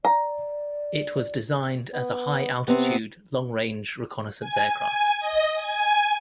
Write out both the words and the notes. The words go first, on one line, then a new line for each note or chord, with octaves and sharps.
It was designed as a high altitude long-range reconnaissance aircraft.
D5 A#5
B3
C3 B3 C4
G#5
G#5
D#5
G#5